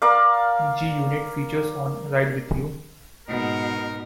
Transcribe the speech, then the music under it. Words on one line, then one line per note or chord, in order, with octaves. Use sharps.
G-Unit features on "Ride Wit U".
A#4 D5 F5
G#2 B2 D#4 A#4